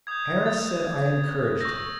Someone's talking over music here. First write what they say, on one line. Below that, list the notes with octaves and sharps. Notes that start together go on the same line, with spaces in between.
Harris said I encouraged him.
D#6 G6 G#6
A6
C#6 E6 G6 A#6